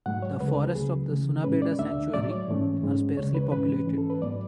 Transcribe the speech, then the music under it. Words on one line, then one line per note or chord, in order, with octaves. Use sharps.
The forests of the Sunabeda Sanctuary are sparsely populated.
G#2 F#3 A3 F#5
C#5
D2 C#3 G#3 B4
A4
B4
C#2 C#3 F#3 A3 G#4
C#3 E3 A3
A2 G#3 C#4 B4
D5
D2 D3 A3 D4 E5
A2 F#3 A3 D5
C#5
G#2 E3 A3 C#4
G#2 G#3 C#4
D2 C#3 G#3 C#5
B4
G#2 E3 G#3 C#4 B4
G#2 E3 A3 C#4
A4
B4
G#2 F#3 B3 D5